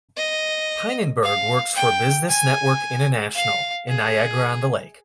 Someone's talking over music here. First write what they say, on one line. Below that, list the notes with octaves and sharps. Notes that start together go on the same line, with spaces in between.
Pynenburg works for Business Network International in Niagara-on-the-Lake.
D#5
F5
G5
G#5
F5
G#4